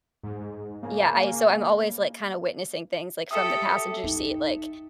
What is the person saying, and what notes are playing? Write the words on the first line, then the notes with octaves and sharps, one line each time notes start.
yeah, I so I'm always, like, kinda witnessing things, like, from the passenger seat, like,
G#2
C#3 A#3
G4 A4 E5 D#6 E6 C#7
D#4